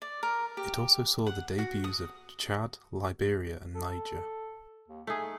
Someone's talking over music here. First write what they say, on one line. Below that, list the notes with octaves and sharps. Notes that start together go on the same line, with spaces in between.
It also saw the debuts of Chad, Liberia and Niger.
D5
A#4
G4
F#5
F#4
D#6
A4
D#2
A3 D#4 G#4